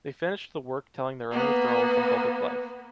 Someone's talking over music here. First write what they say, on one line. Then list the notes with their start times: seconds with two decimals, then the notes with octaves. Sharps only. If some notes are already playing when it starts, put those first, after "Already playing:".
They finished the work telling their own withdrawal from public life.
1.31 A#3 B3